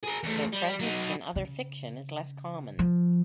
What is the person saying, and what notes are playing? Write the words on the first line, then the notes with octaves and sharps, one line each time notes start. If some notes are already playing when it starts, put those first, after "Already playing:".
Their presence in other fiction is less common.
G#4 A#4
E2 A3
G3
F#3 D#4
C#3
F3